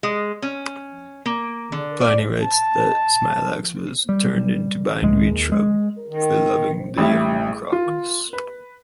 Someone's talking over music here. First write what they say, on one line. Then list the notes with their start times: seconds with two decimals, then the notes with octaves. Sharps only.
Pliny writes that Smilax was turned into bindweed shrub for loving the young Crocus.
0.03 G#3
0.42 C#4
1.26 A#3
1.72 D3
2.01 D5
2.42 A5
4.09 G3
5.02 C#2 A2 G#3
5.31 D#2
5.52 G#3
6.08 D#3
6.98 A1 A2 G3 E4
7.72 F4
8.33 B4